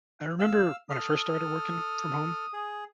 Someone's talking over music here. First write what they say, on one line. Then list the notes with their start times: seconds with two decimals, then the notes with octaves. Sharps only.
I remember when I first started working from home
0.39 F5 E6
0.90 A4 D#6 F6
2.53 G#4